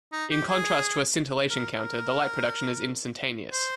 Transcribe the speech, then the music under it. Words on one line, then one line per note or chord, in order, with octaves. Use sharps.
In contrast to a scintillation counter the light production is instantaneous.
D#4
G4
G#4
A#4
A#4
C5